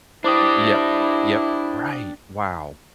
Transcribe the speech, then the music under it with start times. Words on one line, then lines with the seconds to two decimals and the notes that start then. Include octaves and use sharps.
Yep, yep. Right. Wow.
0.24 D4 E4 G4 C5 D6 D#6